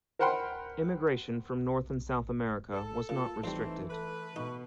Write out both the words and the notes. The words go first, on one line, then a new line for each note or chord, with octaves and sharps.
Immigration from North and South America was not restricted.
A#4 C5 F#5 G5 B5 C6
A4
A#2 F4
F2 E3 G3 A3 C4 D#4
A3 A4 B4
B2 D#4 C#6